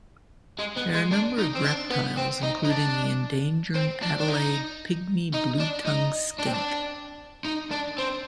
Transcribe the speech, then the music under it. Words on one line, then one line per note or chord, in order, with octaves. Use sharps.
There are a number of reptiles including the endangered Adelaide pygmy blue-tongue skink.
G#3
B3
G#3
D4
D#4
C4
D4
B3
C4
D#4
D#4
D4
C4
D4
D4
D#4
D#4
D4
D#4
D4
C4
D4
D#4
D4
C4